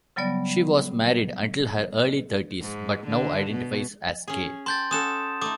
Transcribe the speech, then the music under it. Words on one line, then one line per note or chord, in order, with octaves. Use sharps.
She was married until her early thirties, but now identifies as gay.
C#3 F#3 G3 B3 D5
G#2
D3
B2
C#4 G#4
G5 A5 C6 G6 A6
C#4 F#4 A4 D#6 E7
A3 D#4 D6 D#6